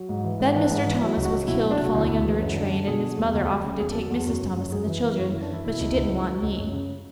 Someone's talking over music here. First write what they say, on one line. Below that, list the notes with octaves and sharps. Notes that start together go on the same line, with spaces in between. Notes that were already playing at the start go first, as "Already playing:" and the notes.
Then Mr. Thomas was killed falling under a train and his mother offered to take Mrs. Thomas and the children, but she didn't want me.
Already playing: F#3
G#2
E3
G#2
E3 D4
G#2
E3
F#3 E4
C#2
F#4
F#3
B2 E4
F#3
D4
B2
F#4
D2 E4
D2
E3
F#2
D3
D3
B2 G#4
F#3
E2
D2
D2
C#3
E2 G#4
A4
F#3
A4
E2 G#4
F#2 F#4
C#3
F#2
F#2 G#4
E3
E3
F#2 F#4
E4
E3
D4
E3 E4
B2 E4
C#2
C#2
C#2
F#3
C#2
F#2
C#3